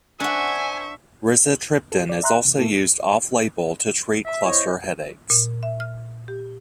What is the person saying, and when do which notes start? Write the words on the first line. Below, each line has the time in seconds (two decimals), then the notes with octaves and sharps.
Rizatriptan is also used off-label to treat cluster headaches.
0.20 D4 C5 E5 F#5 G#5 C#6
1.92 F#4 A4
2.09 D5
2.23 E5 A#5 C6 F#6
2.45 E2 C3
2.57 A2 A3 A#3 E4 A4
4.26 E5
4.45 E4 C5 C#5 D#5
5.30 A#2
5.63 E5
5.80 F6
6.28 G4